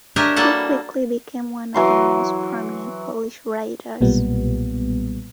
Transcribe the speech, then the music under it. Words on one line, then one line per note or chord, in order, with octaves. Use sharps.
He quickly became one of the most prominent Polish writers.
D4 G4 A#4 C#5 D#5 E5
G3 A#3 E4 F#4 A4 F#5
E3 F#3 C6
B1 A#2 G3 B3